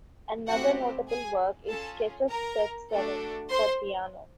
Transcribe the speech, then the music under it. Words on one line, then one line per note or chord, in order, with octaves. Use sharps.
Another notable work is "Sketches Set Seven" for piano.
A3 C4 E4 F#4 G4 F#5
G#4 G#5
C#4 F4 G#4 A4 A5
A#4 A#5
A3 D4 F#4 A4
C5 C6